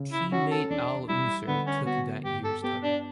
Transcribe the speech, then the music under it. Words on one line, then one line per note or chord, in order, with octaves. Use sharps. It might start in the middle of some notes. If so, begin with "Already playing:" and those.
Teammate Al Unser took that year's title.
Already playing: C#3
E4
C#4 F#4
A4
E2 D4
G3 E4
D3 B3
C#4
B3 F#4
G2 G4
A4
B3 G4
D4